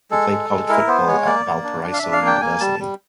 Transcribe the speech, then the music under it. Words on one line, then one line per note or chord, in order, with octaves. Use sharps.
He played college football at Valparaiso University.
G#3 A4
G#3
G#3
E4 A#4
B3 C5
G#3 C#5
A#3 D5
A#3
D4
D4
F5
D4 E5
F5
A#3
G5
A#3 G#5
G3 A5
G3